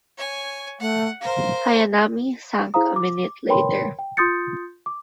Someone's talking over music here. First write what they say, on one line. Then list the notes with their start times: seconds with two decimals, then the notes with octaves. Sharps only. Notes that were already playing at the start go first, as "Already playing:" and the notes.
"Hayanami" sank a minute later.
0.17 C#5 G#5
0.80 A3 F#5
1.21 A#4 C5 F5
2.74 E4 G#4 C5 F5 A#5 D#6
2.96 D6
3.49 A#4 B4 C#5 G5 B5 C6
3.99 G5
4.17 F4 C6 D#6 G6 A6 C#7
4.86 D6